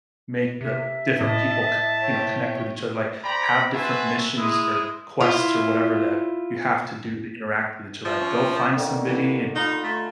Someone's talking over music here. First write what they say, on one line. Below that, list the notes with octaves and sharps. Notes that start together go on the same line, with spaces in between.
make the different people c you know, connect with each other, like, have different missions, or quests, or whatever that you have to do to interact with each other, like, go find somebody and
C3 E5
A2 D#5 A5
C#5 G5
C5 D5 G5 A#5 B5
F#4 B4 C5 E5 G#5 A5
G#3 E4 D#6
E4 F4
F3 E5
C#4 C#5
D3 D#3 A#3
E3
D#4 F4 A#5 B5
A3